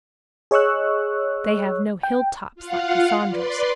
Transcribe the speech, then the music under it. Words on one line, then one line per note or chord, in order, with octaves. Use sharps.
They have no hilltops like Cassandra's.
G#4 C#5 D#5 C#6 E6 F#6
G5
F4 F5 F#5
B4 D5 C6